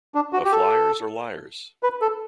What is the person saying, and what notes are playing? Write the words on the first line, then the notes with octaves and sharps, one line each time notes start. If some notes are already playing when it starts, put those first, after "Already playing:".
A Fliers or Liars?
D4
F#4
G4
A4
B4
A4